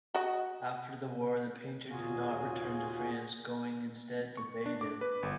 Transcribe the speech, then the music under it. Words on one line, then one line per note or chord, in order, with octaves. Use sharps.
After the war, the painter did not return to France, going instead to Baden.
F#4 D#5
D#2 A#2 F4 F#4 G#4 G#5
C#6
D4
D6
B4
G1